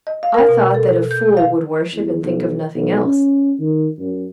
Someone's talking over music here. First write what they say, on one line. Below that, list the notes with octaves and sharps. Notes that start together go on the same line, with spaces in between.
I thought that a fool would worship, and think of nothing else.
D#5
F5
A#4
B2
A4
G6
F5
E2
B1
B1
C#4
D#3
F#2